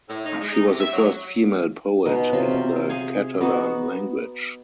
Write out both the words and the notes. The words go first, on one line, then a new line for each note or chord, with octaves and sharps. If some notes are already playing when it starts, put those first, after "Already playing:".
She was the first female poet in the Catalan language.
A2
D#4
G#3
D#4
C3
E5
F#3
B2 D#4
C3 C#4 F4
G#4 F5 G#5
B3 D#4 F#4